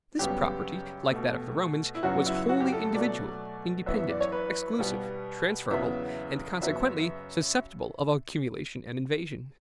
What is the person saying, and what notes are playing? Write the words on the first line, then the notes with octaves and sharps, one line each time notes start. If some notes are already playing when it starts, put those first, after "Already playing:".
This property, like that of the Romans, was wholly individual, independent, exclusive, transferable, and consequently susceptible of accumulation and invasion.
F#2 C#3 G3 B3 G4
B2 A3
E4
F#2 C#3 F#3 B3 F#4
E4
F#4
G4
A4
A4
B2 F#3 A3 D5
F#2 E3 B3 E5
E5
D5
C#5
B4
B2 G3 B3
E2 C#3 F#3 B3 E5
F#2 C#3 F#3 B3 E5